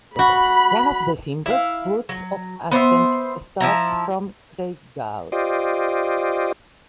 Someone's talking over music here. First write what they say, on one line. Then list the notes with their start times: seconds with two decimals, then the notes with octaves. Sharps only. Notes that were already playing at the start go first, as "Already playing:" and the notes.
One of the simplest routes of ascent starts from Craighouse.
0.19 F#4 B5
1.46 E4 F5
2.09 F#3
2.71 B3 C5 D5 E5
3.60 F3 E4 A#5
5.32 F4 G4 C5 D5 D#5